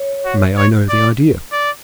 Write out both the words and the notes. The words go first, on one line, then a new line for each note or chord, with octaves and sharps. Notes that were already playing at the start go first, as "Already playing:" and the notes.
"May I know the idea?"
Already playing: C#5
F#4
C#5
D5
D5